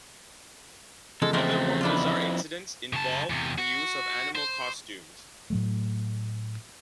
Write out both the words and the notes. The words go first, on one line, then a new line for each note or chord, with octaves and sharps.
Other more bizarre incidents involved the use of animal costumes.
E2 C#3 F3 G#3 A4
G#3 A3 C4 A#4 C5
F2 B3 D4 E4 F4
C#3 A5
E2 C3
F#4
C5
A2 F#3 A3